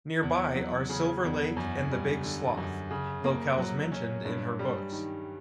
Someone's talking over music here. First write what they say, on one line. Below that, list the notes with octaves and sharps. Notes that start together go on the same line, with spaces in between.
Nearby are Silver Lake and the Big Slough, locales mentioned in her books.
E2
F#3
C#3
E2
F#2
G3
D3
F#2
C#3
A#3
F#3
C#4
G2
G3
D#3